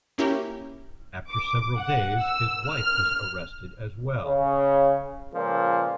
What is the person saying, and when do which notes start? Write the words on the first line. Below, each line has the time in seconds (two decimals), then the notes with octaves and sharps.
After several days his wife was arrested as well.
0.18 A#3 C#4 E4 G4 A#4
1.28 D6
1.79 F#5
2.21 E6
2.70 F6
4.25 C#3
5.34 C#2 A#2 F3